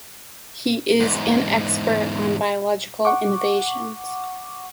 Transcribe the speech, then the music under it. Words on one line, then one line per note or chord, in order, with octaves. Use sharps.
He is an expert on biological invasions.
E2 G#2
F#5 C#6 D6